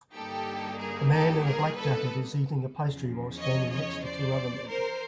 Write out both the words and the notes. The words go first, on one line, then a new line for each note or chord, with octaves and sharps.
A man in a black jacket is eating a pastry while standing next to two other men.
G2 D3 G3 A#3 D#4 G4 A4
G#4 A#4
G4 A4
G#4 A#4
A4 B4
E2 C#3 F3
C#5 D#5
C#5 D#5
C5 D5
A#4 C5